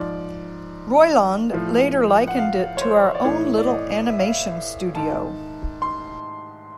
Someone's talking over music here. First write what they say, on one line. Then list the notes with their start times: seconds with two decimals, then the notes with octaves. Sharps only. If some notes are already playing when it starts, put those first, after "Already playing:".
Roiland later likened it to our own little animation studio.
Already playing: G#2 F3 D5
1.53 A2 F3
2.28 F#5
2.39 F5
2.77 C#5
2.81 C5
3.15 D5
3.24 A2 E3 C#5
3.58 D5
3.67 D#5
4.09 E5
4.19 F5
4.26 E5
4.95 G#2 D#3 A5
5.82 C6